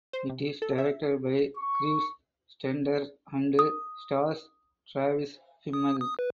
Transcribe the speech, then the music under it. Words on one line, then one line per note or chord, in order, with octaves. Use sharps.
It is directed by Kriv Stenders and stars Travis Fimmel.
C5
C3
A4
E5
C#6
D#6
D#6
D#6
B4